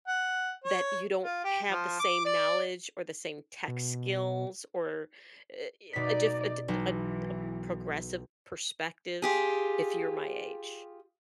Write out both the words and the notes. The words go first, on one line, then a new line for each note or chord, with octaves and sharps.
that you don't have the same knowledge or the same tech skills or, eh ye a diff a di a d a progressive perspective if you're my age.
F#5
C#5
F4
G4
F3
D6
D5
B2
B2 D#4 D5 B6
B1 E3
F4 G4 G#4